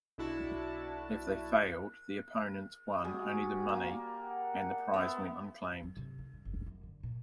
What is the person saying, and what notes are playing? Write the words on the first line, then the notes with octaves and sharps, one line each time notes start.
If they failed, the opponents won only the money and the prize went unclaimed.
B1 D4 E4 F#4 A5
G3 F#4 G#4
A#3
F#5
B3 C5 E5
F#3
C3
F4
G2
F#1
F#2
D3
A#2